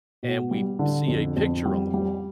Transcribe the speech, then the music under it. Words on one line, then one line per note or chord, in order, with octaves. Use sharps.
and we see a picture on the wall,
B2
G3
D3
F2
F2
G3
G3